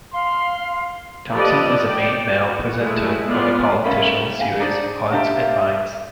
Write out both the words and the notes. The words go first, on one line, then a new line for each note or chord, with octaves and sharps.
Thompson is the main male presenter of the political series "Hearts and Minds".
F5 C6
F3 G4 A4 B4 D5 D#5
D5 G5
F#4
G#3 A3 E4
G#3 B3 F4 D5
G3 A3 A#3 C#4 E5
F5 G5 G#5
D4 D#4 G#4 C5 D5
D4 G4 A4 E5 F5 A#5 C6